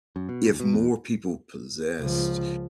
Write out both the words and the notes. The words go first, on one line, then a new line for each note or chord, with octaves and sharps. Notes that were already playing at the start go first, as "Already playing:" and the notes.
if more people possessed,
F#2
B2
D2
B2
E2
C#2 F3